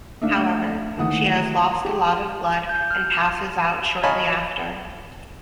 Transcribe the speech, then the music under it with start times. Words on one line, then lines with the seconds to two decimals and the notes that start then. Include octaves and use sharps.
However, she has lost a lot of blood and passes out shortly after.
0.21 A3 D4 E5 F5
0.97 D#2 E3 A3 F#5 D#6
1.85 G4
2.69 G6
2.91 F6
3.20 A5
4.03 C#5 D#5 F5 G#5 A5 B5